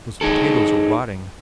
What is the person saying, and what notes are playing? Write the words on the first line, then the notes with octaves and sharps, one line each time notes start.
Those potatoes are rotting.
D#4 G#4 A4